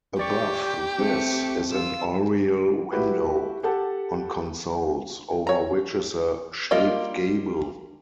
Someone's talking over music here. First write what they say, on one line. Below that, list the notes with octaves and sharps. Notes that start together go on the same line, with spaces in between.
Above this is an oriel window on consoles over which is a shaped gable.
G4 D5 C#6
A3 C4 C#7
F4 E6
E4 F#4 G4 B4
G4 A4 F#5 A5
C#5 A#5
G3 A#3 F4 A#4 D#5